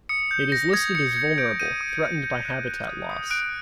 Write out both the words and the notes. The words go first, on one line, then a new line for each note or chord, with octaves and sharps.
It is listed as vulnerable, threatened by habitat loss.
D#6 C#7
G6
G6 A#6
D#6 G#6
G6 C#7
G6 C#7
G6 D7
G6 D#7
D#6
G6
G6
F#6
F#6
D#6
D#6
F#6 D7